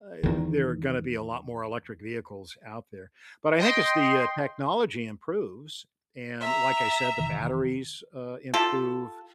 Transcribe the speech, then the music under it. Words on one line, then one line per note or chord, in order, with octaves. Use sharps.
uh, there are gonna be a lot more electric vehicles out there. But I think as the, uh, technology improves, and like I said, the batteries, uh, improve,
E2 D#3
D#5 G5 C6
E5 A#5
F1 D#3 E3
F4 G4 A4